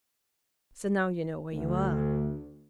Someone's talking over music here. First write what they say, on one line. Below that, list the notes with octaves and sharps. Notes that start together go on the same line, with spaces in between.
So now you know where you are.'
D2